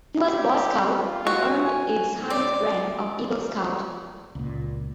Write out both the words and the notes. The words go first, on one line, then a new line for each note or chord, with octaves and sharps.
He was a Boy Scout and earned its highest rank of Eagle Scout.
G4
F4
F#4
G#5
D5
C#2 A#2